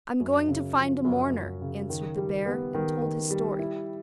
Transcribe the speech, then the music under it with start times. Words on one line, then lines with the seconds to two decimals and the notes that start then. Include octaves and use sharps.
'I am going to find a mourner,' answered the bear, and told his story.
0.20 F#2
0.49 C#3
0.77 F3
1.05 F#2
1.33 F#2
1.62 C#3
1.90 D#3
2.18 G3
2.46 B3
2.74 D#3
3.02 D#3
3.31 G3
3.59 E4